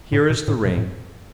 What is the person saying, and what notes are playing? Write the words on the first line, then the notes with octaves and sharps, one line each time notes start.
Here is the ring.
A2
B2
A2
B2
A2